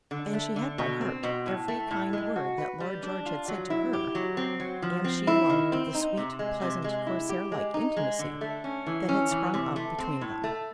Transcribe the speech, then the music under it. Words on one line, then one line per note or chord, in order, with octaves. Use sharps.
And she had by heart every kind word that Lord George had said to her,--and she loved the sweet, pleasant, Corsair-like intimacy that had sprung up between them.
D3
A3
D3
B2
C4
B2
A2
A3
A2
G#3
F#4
B4
G3
D4
F4
F#3
E4
G4
F#3
C4
F#3
F3
C4
E4
D#3
C4
D#4
C3
G#3
C3
G#3
E4
G4
G#3
D#4
G#3
D3
A3
C#4
E3
C#4
E3
C3
A3
C4
A2
A3